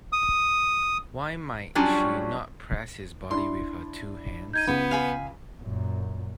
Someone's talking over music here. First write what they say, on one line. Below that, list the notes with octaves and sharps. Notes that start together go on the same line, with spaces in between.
Why might she not press his body with her two hands.
D#6
F#3 G3 C#4 D4 F4 G#5
D4 E4 C6
D#4 G6 G#6 D#7
C#2 B3 B5
F5 G#5 B5
F#2 A#2